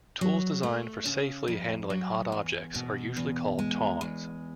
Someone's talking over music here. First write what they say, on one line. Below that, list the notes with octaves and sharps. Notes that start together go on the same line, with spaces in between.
Tools designed for safely handling hot objects are usually called tongs.
F#3
A3
C#3
F2
F#3
E2
B2
E2
G#3
E2